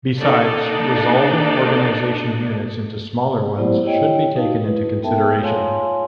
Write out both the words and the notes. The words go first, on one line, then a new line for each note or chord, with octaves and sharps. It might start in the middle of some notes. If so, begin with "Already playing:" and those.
Besides, resolving organization units into smaller ones should be taken into consideration.
A#3 D4 D#4 A4 D5
F#3 B3 E4 G4 C5 D5
E4 G4 C#5 D#5 G5
D#4 F#4 F5 A5
D#4 E4 B4
B3 A4 A#4 E5 G5 A5
F4 C#5 F5 G#5 A5 C6